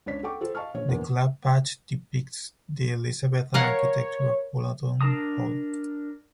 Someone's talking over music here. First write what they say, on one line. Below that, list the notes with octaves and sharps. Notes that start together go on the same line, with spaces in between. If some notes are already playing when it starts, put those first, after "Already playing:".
The Club Badge depicts the Elizabethan architecture of Wollaton Hall.
C#2 D4 C#5 D5 B6
A4 F#5 G5 C#6 D6
F4 A4 C5
D#5 F5 A5 C#6 F6
A#1 C#5
A#1 E2 A#4 B4
A#4 C#5 F5 F#5
D4 A#4 A5 A#5 D#6